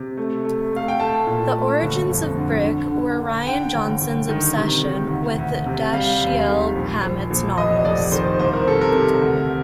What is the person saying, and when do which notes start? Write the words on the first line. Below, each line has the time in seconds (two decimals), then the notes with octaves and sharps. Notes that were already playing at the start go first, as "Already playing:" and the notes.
The origins of "Brick" were Rian Johnson's obsessions with Dashiell Hammett's novels.
Already playing: C3
0.17 A3
0.45 A3
0.73 A3 F5
0.88 G5
1.00 A3 A5
1.27 A#2
1.55 A3
1.82 G1
2.10 F2
2.37 D3
2.65 D3
2.92 D3
3.20 D3
3.46 D3 G5
3.74 G1
4.01 G1
4.29 D#3
4.56 C3
4.83 D#3
5.11 D2
5.38 D2
5.66 C3
5.93 G3 F5
6.21 D#2
6.48 D#3
6.75 A#1
7.03 A#1
7.30 A#1
7.58 F1 D#5
7.85 F1 D5
8.12 D#3 C5
8.39 C2 C5
8.53 A#4
8.67 C3 A4
8.81 A#4
8.95 C3
9.22 D2